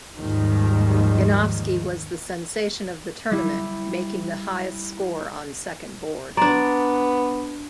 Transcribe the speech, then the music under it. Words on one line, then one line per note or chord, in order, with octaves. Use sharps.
Yanofsky was the sensation of the tournament, making the highest score on second board.
D#2 G#2 D#3 F3 G3
G3 E4
B3 D4 D5 A#5 C6